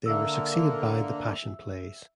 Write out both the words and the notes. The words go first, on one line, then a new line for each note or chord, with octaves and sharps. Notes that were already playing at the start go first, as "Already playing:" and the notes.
They were succeeded by the Passion Plays.
D3 A#3 E5 E6